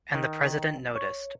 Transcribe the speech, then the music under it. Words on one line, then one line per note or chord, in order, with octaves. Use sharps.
And the president noticed.
D#3
C#5